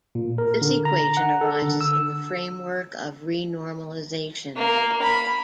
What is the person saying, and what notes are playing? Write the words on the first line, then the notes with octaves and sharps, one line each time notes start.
This equation arises in the framework of renormalization group.
A#2
A#4
D3
A#5
F#5
A4
D3
E6
A#3
B5